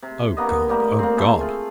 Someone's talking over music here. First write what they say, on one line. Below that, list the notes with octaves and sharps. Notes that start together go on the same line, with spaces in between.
O God! O God!
C3
D3 A#3 B3 D#5
A2 G3 A#3 G4
A#3 C4
A3 E4 G#4
F4